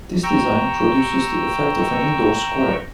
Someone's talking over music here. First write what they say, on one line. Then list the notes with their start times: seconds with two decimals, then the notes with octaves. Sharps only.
This design produces the effect of an indoor square.
0.23 G5 A#5 C#6 E6